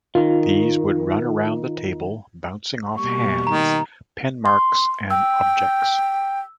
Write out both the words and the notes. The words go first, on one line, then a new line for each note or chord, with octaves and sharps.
These would run around the table, bouncing off hands, pen marks and objects.
D#3 F4
B2 G3 A#3 C#6
D#3 A#5
C6
G5 E6